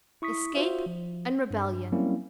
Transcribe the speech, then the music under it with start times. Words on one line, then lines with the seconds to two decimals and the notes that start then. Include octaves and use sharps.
Escape and rebellion.
0.22 E4 C#6 D#6 B6
0.55 F4 F#4 C5 E5
0.86 F3
1.51 G2
1.92 F#3 G3 A#3 C4 C#4 E4